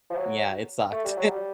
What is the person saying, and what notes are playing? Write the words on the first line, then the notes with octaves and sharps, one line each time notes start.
Yeah, it sucked.
F3
F#3
A3
G3
F#3
G3